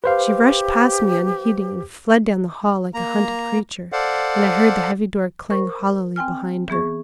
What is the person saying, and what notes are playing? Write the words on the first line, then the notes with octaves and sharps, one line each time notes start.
She rushed past me unheeding, and fled down the hall like a hunted creature, and I heard the heavy door clang hollowly behind her.
G4 B4 C5 F5
A#3 A#5
A4 C5 D5 F5 F#5
A#4 C5 C#6
C4 G5 G#5 F6
E3 B3 G#4 C#6